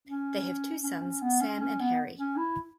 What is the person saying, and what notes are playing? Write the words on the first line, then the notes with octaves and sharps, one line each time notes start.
They have two sons, Sam and Harry.
C#4
C#4
C#4
B3
C#4
C#4
B3
C#4
E4